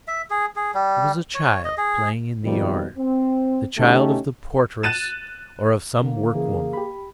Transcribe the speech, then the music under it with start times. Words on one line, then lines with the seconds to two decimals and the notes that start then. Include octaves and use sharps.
There was a child playing in the yard--the child of the portress or of some work-woman.
0.08 E5
0.30 G#4
0.56 G#4
0.74 G3
1.34 C#5
1.65 D#5
1.78 G#4
2.44 F2 G#2 B2 D#3 F3 G3
2.98 C4
3.78 D3 A3 C#4 D#4 G4
4.83 F#6 A6 D#7 E7
6.03 D3 A#3
6.35 C#3 E3 G#4
6.73 G4 B5